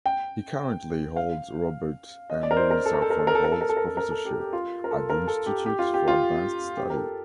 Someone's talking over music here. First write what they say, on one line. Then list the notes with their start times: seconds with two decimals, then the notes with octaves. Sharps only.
He currently holds Robert and Luisa Fernholz Professorship at the Institute for Advanced Study.
0.06 G5
1.16 F5
2.30 D#5
2.43 D5
2.51 A#4
2.57 C5
2.71 A#4
2.86 A4
2.94 A#4
3.02 A4
3.10 A#4
3.19 A4
3.27 A#4
3.35 A4
3.44 A#4
3.52 A4
3.61 A#4
3.69 A4
3.77 A#4
3.85 A4
3.97 A#4
4.11 A4
4.25 G4
4.32 A4
4.39 G4
4.53 F4
4.84 A#4
4.91 A4
5.10 A#4
5.27 A4
5.46 G4
5.66 G4
5.79 F4
5.94 G4
6.08 F4
6.77 G4
6.90 A#4
6.96 A4